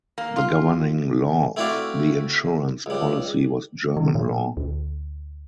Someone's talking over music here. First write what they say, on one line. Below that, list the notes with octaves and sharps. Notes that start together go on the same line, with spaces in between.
The governing law of the insurance policy was German law.
A#3
F4
A3 C4 E4 F#4 D5 F5
C#2 G3
D#3
A#2
D2